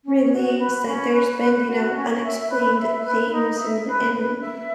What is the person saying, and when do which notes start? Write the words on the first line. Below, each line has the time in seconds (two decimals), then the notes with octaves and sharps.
released that there's been, you know, unexplained things, and and
0.04 C#4
0.32 F#4
0.58 B4
0.86 C#4
1.12 B4
1.41 B4
1.68 F#4
1.95 C#4
2.22 E5
2.49 B4
2.77 E5
3.03 B4
3.31 D#4
3.59 E5
3.86 B4
4.13 B4
4.40 E5